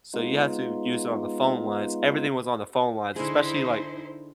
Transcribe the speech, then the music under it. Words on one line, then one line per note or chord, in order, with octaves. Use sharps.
So, you have to use it on the phone lines everything was on the phone lines, especially, like,
G#3 B3 D#4 F4
D3 D#4 E4 G#4 C5